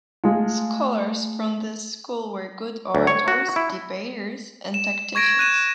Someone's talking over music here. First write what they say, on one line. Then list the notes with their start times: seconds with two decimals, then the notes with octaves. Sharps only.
Scholars from this school were good orators, debaters and tacticians.
0.24 G#3 A3 F4
2.95 D2
3.07 C#5
3.28 F#4
3.56 E4
4.74 E7
5.15 C#6 G#6 A#6 D7
5.39 F#6 D#7 E7